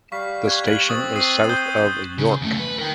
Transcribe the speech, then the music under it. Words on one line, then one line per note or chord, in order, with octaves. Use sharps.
The station is south of York.
G3 F5 C#6 B6
C#6 F#6 G#6
F#7
C4 C#6 D#6 A6
D#6 C7 D#7
D#6 G6 G7
C#3
E2 A3
B4
A#4 G5